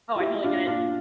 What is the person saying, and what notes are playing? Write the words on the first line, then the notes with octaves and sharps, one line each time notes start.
Oh, I totally get it.
F4
E4 G4
D4 F4
D4 F4